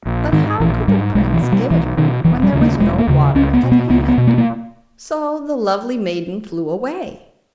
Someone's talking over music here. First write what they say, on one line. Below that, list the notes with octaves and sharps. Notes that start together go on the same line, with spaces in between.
But how could the prince give it her when there was no water at hand? So the lovely maiden flew away.
A#1
G#2 D#3
A#1 E3
G#2 G3
B1 G#3
E3
B2
G3
B1 E3
B2 D#3
E1 E3
G3
D#2 C#3
A#3
E1 G#3
A#3
D#2 C#3
C#2 C#4
B3
B2
B3
C#2 B3
B3
B2
A#3
A#3